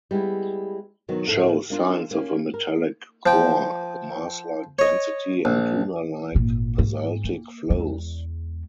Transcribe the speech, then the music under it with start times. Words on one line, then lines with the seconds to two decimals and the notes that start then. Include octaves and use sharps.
It shows signs of a metallic core, a Mars-like density and lunar-like basaltic flows.
0.11 G3 G#3 B3 E4
1.08 B2 D#3 F#3 B3
1.27 D2 A2 A4 F5
1.70 A#3 D4 F4
2.11 A#3 C#4
2.54 A#4
3.26 F3 G5
4.79 C#5 D#5
5.45 A#1
6.34 G#1 A#2
6.79 G#2
7.24 A#3
7.70 E2 G#3